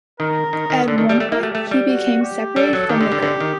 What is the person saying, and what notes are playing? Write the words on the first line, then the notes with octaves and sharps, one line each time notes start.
At one point, he became separated from the group.
D#3 A#4
D#3
D#3
D3 A4
D#3
G3
A3 G4
A#3
A3
A3
G3
F#4
G4
G3 A4
F#3
D#3 G4
D3
D3
D3
D#3